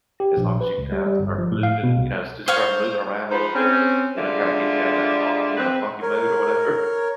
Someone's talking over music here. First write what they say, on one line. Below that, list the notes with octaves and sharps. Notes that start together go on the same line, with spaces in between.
as long as you get out and start moving, you know, st just start moving around a little bit, it'll kinda get you out of that funk, you know, funky mood or whatever.
G4
A#1
B4
C#2
G3
G3
G1
F3
A2
F5
B2
C2
C5 C#5 F5 C#6
F3 D#4 B4 C5
C4 C#4
G2 D3 G#3 F4 D5 E5
C4 B4
A#4 C#5